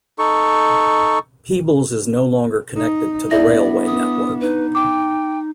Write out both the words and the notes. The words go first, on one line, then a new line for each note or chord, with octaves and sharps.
Peebles is no longer connected to the railway network.
D#4 A4 C#6
D#4
B3 D4 E4 D5 E5 A#6
D#6
D#4 B4
G5 D6